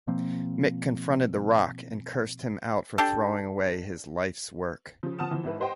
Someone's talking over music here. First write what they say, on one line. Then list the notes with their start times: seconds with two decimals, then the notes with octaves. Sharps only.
Mick confronted The Rock and cursed him out for throwing away his life's work.
0.07 B2 F3 A#3 C4
2.98 D4 G4 A4
5.03 C#3 F3
5.19 F3 F#5 A5 D#6 F6 E7
5.31 E3 F3
5.44 G#1 G#2 E4 B4
5.60 G4 B4 C5 D#5 F#5 G5